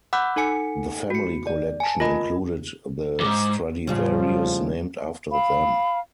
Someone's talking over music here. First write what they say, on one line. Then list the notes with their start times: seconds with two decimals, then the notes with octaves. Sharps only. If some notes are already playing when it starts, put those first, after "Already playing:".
The family collection included the Stradivarius named after them.
0.13 F#5 B5 D6 E6 F#6 G6
0.36 D#4 A4 F#5 G#5 C#7
1.10 F#4 C#7
1.47 D5
1.80 G#5 A5
2.00 F4 A#4 D#5 B5
3.20 E2 G#2 D6
3.87 A2 C#3 F3 G3
5.31 F5 B5